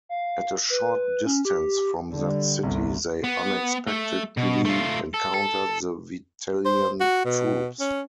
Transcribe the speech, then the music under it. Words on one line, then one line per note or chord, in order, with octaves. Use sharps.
At a short distance from that city they unexpectedly encountered the Vitellian troops.
F5
B4
C#4
G4
D3 G3
G1 C2
B3
A3
B2
A3 F4
A4
A4
C5
F#4
B2
C#4